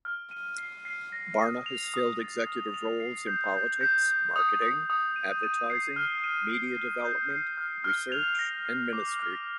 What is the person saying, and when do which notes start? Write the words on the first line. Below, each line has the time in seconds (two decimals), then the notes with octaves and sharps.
Barna has filled executive roles in politics, marketing, advertising, media development, research and ministry.
0.05 F6
0.31 D#7
0.58 C7
0.85 C7
1.12 A#6
1.39 D#6
1.66 F7
1.94 D#6
2.19 A6
2.47 F6
2.74 F7
3.00 C7
3.27 G6
3.55 G6
3.81 G6
4.09 G6
4.36 D#6
4.62 D#6
4.90 D#6
5.16 D#7
5.43 D#7
5.70 C7
5.96 F6
6.24 D#7
6.50 C7
6.77 C7
7.05 G6
7.31 C7
7.57 F6
7.84 F6
8.12 F7
8.39 A#6
8.65 C7
8.93 D6
9.19 F6